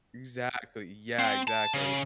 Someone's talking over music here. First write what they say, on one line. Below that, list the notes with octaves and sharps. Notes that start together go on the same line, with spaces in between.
Exactly, yeah, exactly.
C4
A5
C#3